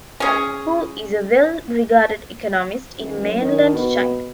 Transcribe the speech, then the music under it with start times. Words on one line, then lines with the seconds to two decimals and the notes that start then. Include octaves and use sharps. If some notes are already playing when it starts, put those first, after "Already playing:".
Hu is a well-regarded economist in mainland China.
0.20 C#4 G#4
2.99 D#1
3.23 F#2
3.41 D#3
3.73 B2